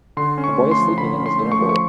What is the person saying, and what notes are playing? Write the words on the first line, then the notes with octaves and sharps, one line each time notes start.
A boy is sleeping in his dinner bowl.
D3 C6
C#4
C#6
A3
C6
F3
D3 B5
C#4
C6
A3
C#6
F3
C#6